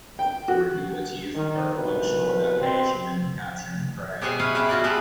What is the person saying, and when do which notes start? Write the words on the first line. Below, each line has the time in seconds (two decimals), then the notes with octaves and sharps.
The radula teeth are a functional adaption in the capturing of prey.
0.19 G5
0.48 F#4
1.36 D#3
1.76 C2 B2 B4
2.61 B2 C4
4.21 B2 G4 G#4 C5 F#5 G#5
4.39 E4 B4 C#5 F5
4.55 E4 G4 G#4 C#5 E5 F5
4.69 C#4 F4 F#4 B4 D5
4.84 G#3 B3 G4 A4 B4 E5